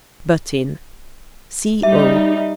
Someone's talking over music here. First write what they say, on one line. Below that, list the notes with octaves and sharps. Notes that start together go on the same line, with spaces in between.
Butt in. C.o.
G3 D#4 E5